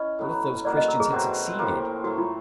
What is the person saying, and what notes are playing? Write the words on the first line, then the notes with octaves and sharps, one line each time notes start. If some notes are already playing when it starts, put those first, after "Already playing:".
What if those Christians had succeeded!...
Already playing: C#4 E4 D#5
A2 F#3 B3
B2 F#3 A#3 D5
D#5
A#4
G#4
B2 F#3 A3 C4
A2 F3 A#3
A2 F#3 A3 F#4
F4